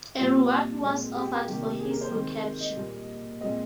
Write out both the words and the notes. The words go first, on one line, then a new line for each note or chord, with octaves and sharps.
A reward was offered for his recapture.
A#2 G3 C4 F4
A#2 G#3 C4
G4
C3 D#3 A#3 G4
G#4
A#4
C5
D#3 G#3 C4
D#5
A#2 G3 A#3
A#2 G#3 C4 D#5